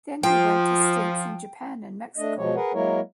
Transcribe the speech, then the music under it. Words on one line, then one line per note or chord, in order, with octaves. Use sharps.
Then he went to stints in Japan and Mexico.
F3 G5
A3 D4 D#5
B2 F3 G#3 C#5
G#4 A#4 B4 F#5
F#3 G#3 A#3 E4 A#4 C#5